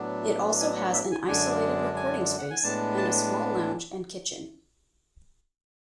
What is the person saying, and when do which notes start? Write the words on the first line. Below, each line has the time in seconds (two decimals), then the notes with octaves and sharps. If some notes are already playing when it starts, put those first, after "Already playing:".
It also has an isolated recording space and a small lounge and kitchen.
Already playing: A2 F#3 B3 D4
0.60 G#5
0.76 F#5
0.94 E5
1.12 G#5
1.28 F#2 D3 G#3 D4 G#5
1.96 G#5
2.38 F#5
2.50 G#5
2.63 A2 G#3 B3 D4 A5
2.97 A5